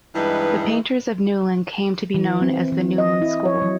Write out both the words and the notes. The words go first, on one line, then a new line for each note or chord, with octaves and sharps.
The painters of Newlyn came to be known as the Newlyn School.
G2 E3 G#3 D#4 B4
E3
C4
E3
D#5
E4
C#5
F#3